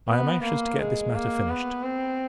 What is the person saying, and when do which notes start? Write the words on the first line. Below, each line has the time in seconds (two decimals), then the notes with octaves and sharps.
I am anxious to get this matter finished.
0.09 B3
0.43 A#3
0.79 G#3
1.14 A#3
1.50 B3
1.83 C4